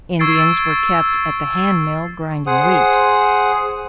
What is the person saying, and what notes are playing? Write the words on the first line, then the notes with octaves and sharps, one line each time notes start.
Indians were kept at the handmill grinding wheat.
C#6 E6 G#6 A6 C7 D7
G#4 C5 F#5 D#6